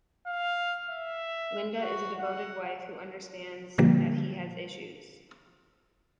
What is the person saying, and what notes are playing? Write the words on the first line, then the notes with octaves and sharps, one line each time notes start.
Linda is a devoted wife who understands that he has issues.
F5
E5
F#4
F#5
A#2 D3 F3 G3 A#3